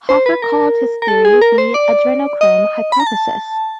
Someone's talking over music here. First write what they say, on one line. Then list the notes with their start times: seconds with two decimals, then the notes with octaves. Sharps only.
Hoffer called his theory the "adrenochrome hypothesis".
0.09 C5
0.26 B4
0.42 A#4
1.02 A#4
1.08 A4
1.25 G#4
1.41 A#4
1.58 C5
1.74 D5
2.41 D#5
2.92 B5
3.00 A#5
3.07 A5